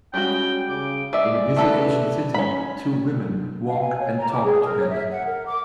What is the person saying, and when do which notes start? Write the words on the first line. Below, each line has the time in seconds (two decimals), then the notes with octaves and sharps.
In a busy Asian city, two women walk and talk together.
0.14 G3 G#3 C#4 F#4 G5
0.69 C#3 D6
1.13 G#3 D5 E5
1.56 A3 A4 B4
2.34 C#4 B5
3.68 F5
3.80 G#5
3.99 C#5
4.18 A#5
4.30 D6
4.43 G#4
4.64 A#4
4.78 C#5
4.89 E5
5.09 F#5
5.26 A#4
5.45 D6